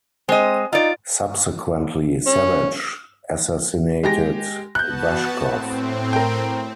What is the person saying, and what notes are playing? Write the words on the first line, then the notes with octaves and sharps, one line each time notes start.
Subsequently, Savage assassinated Vashkov.
G#3 C4 D#5
D#4 F4 D5
C#4
G#3 G4 A#6
B3 F#4 A5 F#6 G6
A2 C4
A#4 G5